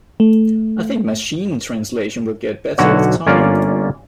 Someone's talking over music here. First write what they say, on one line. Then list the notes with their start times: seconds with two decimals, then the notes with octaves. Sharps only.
I think Machine Translation will get better with time.
0.20 A3
2.78 B1 D3 F#4 C#5
3.27 G1 A#3 C#4 F4 D5 F5